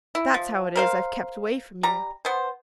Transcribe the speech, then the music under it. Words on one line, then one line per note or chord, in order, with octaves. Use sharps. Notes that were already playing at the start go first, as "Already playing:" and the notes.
That's how it is I've kept away from you.
E4
F3
A#4 C5 F5
G3 A#5
B3 C5